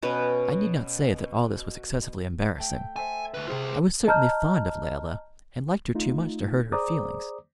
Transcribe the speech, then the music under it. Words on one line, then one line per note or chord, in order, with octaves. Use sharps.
I need not say that all this was excessively embarrassing I was certainly fond of Layelah, and liked her too much to hurt her feelings.
B2 C#4 B4
A3 G5
A4 C5 E5 G#5
D2 B4
C3 F4 G#4 C5
D#5 A5 A#5 F6 G6
A3 D#4 F4
G#4 C5 D5 A#5 D6 D#6